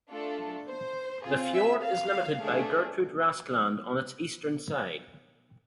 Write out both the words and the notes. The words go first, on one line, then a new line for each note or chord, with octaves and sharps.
The fjord is limited by Gertrud Rask Land on its eastern side.
A3 D4 F4 A4
C5
C4 F4 G#4
E5
F5
A3 D4 G#4